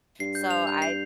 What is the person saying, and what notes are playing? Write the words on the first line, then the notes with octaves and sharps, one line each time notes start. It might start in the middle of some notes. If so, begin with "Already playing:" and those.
so I
G2 C7
G6
F7
G6
C7